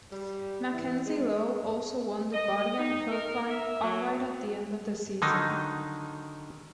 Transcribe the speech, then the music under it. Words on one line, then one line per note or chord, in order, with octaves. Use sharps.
Mackenzie-Low also won the Bodiam Hill Climb outright at the end of the season.
G3
E3
G#3
D#5
D#4
A#4
E5
F#3
D3 D#3 F#3 D#4